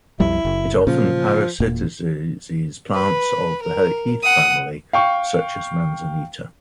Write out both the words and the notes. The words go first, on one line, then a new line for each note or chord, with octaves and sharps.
It often parasitizes plants of the heath family, such as manzanita.
B1 F2 G3 E4
F#1
A#2 C#3 F3
E1 A#2
B4
A#4
F#5 D#6
F5 G5 C#6